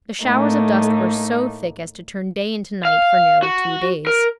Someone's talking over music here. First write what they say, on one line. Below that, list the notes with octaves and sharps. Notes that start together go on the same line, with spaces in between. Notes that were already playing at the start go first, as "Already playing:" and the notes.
The showers of dust were so thick as to turn day into night for nearly two days.
A2 A3 A#3 D#4
F5
F#4
A#4